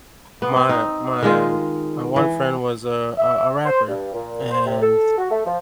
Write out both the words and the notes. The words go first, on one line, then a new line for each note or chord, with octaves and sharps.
my my my one friend was a a a rapper, and
B3
C4
D#4
D#3 G#3 F4
E3
E5
C5
G2
A#2
C5
C3
A4
F#4
A3
F3